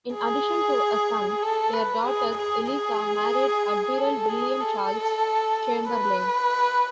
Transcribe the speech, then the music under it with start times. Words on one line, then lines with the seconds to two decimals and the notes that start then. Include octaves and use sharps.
In addition to a son, their daughter Eliza married Admiral William Charles Chamberlain.
0.14 G#4
1.42 A4
1.74 B4
2.05 G#4
2.37 G#4
2.70 G#4
3.97 A4
4.29 G#4
4.60 A4
5.89 B4